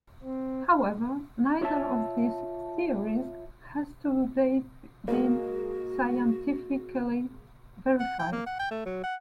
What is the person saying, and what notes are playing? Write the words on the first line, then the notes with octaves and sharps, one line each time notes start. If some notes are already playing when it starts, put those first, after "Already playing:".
However, neither of these theories has to date been scientifically verified.
C4
F4 C#5 E5 A5
G#3 A#3 F#4
F#5
G5
A#3
F#5
G5
A3
F#3
F#5